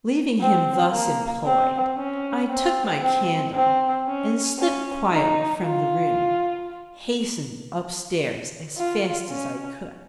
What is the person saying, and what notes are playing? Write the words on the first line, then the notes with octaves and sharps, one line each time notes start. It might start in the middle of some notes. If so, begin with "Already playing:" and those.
Leaving him thus employed, I took my candle, and, slipping quietly from the room, hastened up-stairs as fast as I could.
C4
A#3
C4
C#4
C4
C4
C4
C#4
C#4
D#4
F4
F4
C#4